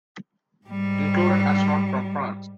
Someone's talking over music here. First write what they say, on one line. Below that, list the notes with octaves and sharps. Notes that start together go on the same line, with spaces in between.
Included astronaut from France.
G#2 G3